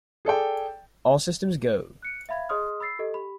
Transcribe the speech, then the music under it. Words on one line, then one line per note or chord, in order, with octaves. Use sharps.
All Systems Go!
G#4 A4 D5 G5
F#6 C#7 D7
E5 F5 B5 G#6
G#4 C#5 D#5 C6 D#6 F6
B5 E6 A6 C7
G4 A4 D#5
G4 B5